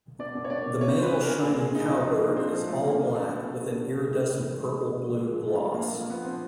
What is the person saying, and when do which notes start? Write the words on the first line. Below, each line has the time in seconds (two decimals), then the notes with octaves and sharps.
The male shiny cowbird is all black with an iridescent purple-blue gloss.
0.19 B2 D5
0.35 B2
0.45 C#5
0.50 B2 D5
0.66 B2
0.81 B2 C#5
0.97 B2 C5
1.03 B4
1.12 B2
1.23 A#4
1.29 B2
1.43 A#2 G#4
1.59 A#2 G#4
1.75 A#2 D#4
1.91 F3 D#4
2.05 A#2 D4
2.21 A#2
2.36 A#2 C4
2.52 F3
2.68 B2 A3
2.83 B2 A#3
2.99 B2 A#3
3.14 B2 A3
3.31 B2
3.45 B2
3.62 B2
3.76 B2
3.92 A2
4.08 A2
4.23 A2
4.38 E3
4.54 A2 G#3
4.69 E3
4.85 A2
5.00 A2
5.16 A#2 G#3
5.32 F3
5.48 F3 A3
5.62 A#2
5.74 A#3
5.79 F3 A3
5.94 F3 A#3
6.09 A#2 B3
6.25 F3 C4